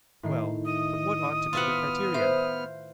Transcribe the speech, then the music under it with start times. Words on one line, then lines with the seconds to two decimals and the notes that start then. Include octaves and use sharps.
Well, but what ought to be the criterion?
0.23 A2 D#3 C7
0.66 D#5 D#6
1.53 B3 F4 E5 F#5 F6
2.14 B4 C5 E5